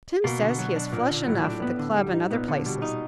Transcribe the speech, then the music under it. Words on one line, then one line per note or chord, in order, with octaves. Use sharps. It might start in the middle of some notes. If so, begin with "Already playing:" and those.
Tim says he is flush enough at the club and other places.
B2 A#3
D3
F#3
D4
A#2 A#3
D3
A2 F#3
D4
A2 B3
D3
G3
D#4
A#2 B3
D3
B2 G3
D#4